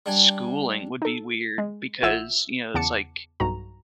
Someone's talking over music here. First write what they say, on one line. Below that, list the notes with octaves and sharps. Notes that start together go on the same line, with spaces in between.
Schooling would be weird because, you know, it's like
G3 D4 G#5
D#4 A4
G#3
A1 F4 E5 F#5 E6 E7
E2 C#3 F#5 A5 D6 C#7
B1 G2 F#4 A#5